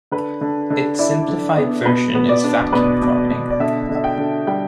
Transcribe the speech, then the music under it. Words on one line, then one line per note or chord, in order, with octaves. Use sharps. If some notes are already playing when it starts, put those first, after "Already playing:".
Its simplified version is vacuum forming.
D3 B4
D3
D3
E4 D5
D3
B3
B2 B4
B3
D5
D4
B2 B4
B2
B2
D5
D3 E5
D3
E5
G5
D3
G3 G5